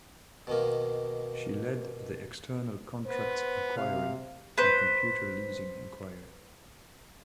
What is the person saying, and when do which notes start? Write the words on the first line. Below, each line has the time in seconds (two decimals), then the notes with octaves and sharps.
She led the External Contracts Inquiry and Computer Leasing Inquiry.
0.47 B2 D#3 A#3
3.06 B3 C5
3.77 C3 F5
4.58 B4 C5